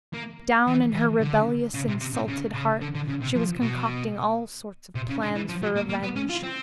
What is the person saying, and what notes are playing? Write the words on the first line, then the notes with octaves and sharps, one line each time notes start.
Down in her rebellious, insulted heart she was concocting all sorts of plans for revenge.
A#3
E3
E3
D3
C#3
C3
C3
C3
C#3
C#3
D3
D3
C#3
C3
F3
B2
C3
C#3
D3
E3
F3
F#3
A#3
A#3
B3
C#4
F4
C4